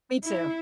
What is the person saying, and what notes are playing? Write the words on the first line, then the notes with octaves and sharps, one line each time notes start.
Me, too.
E4